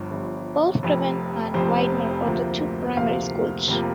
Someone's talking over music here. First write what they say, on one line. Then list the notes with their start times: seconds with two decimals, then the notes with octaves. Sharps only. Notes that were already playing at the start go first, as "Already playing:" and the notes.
Wolfgraben and Widmer are the two Primary Schools.
Already playing: G1 G2 F3
0.11 G1 G2 F3
0.83 F1 F2 C3
1.54 F1 F2 C3 C5
2.25 D2 C3 F3 A#3
2.97 D2 C3 F3 A#3 F5
3.68 F1 C3 F3 A#3